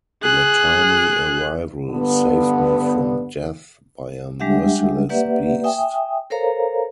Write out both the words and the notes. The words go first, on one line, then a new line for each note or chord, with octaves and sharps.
Your timely arrival saved me from death by a merciless beast.
G#4 F#6
G2 D3 B3
G3 G#3 D4 G4 E5 F#5
A#3 G4 B4 D5 E5 F#5
E5 G5 G#5 D#6
A4 A#4 C5 C#5 F5 A#5